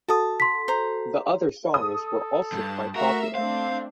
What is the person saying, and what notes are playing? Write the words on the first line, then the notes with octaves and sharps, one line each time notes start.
The other songs were also quite popular.
F#4 A4 A5 D#6
C6 B6
C5 A#5
A4 D#6
E2 G2 A5
A3 F#4 A#4 E5 F5
A3 C4 D4 C5 F5